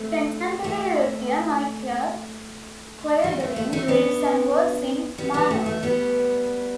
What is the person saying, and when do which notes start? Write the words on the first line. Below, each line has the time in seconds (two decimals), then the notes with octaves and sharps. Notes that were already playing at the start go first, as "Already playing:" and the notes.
Contemporary luthier Michael Koeberling lives and works in Murnau.
Already playing: A3 C4
0.64 A3
3.24 G3
3.40 A3
3.56 A3
3.72 A3 C4
3.88 B3 D4
5.18 G3 B3
5.34 G3 B3
5.51 A3
5.66 A3
5.83 G3 B3